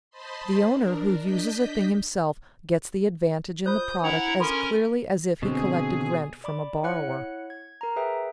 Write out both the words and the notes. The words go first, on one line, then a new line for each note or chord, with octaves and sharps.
The owner who uses a thing himself gets the advantage in the product as clearly as if he collected rent from a borrower.
C5 D#5 A5 B5 C6
D4 A#4
D4 D#5 G6 B6
F4 C5 D#6 G6
D4 E4 F#5 A#5
C#4 A4 A#4 B5 C6
B2 D3 C4 G#4
D5 B5 D6
E4 C#5 F#5 F#6 C#7
G#6
A#4 A#5
G#4 B4 E5 G5